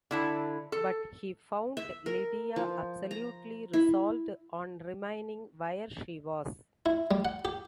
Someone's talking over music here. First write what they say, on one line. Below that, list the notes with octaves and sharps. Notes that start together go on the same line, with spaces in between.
But he found Lydia absolutely resolved on remaining where she was.
D3 E4 A5
A4
E5
A#4
F3
A#5
E4
E4
G3
F#5
G4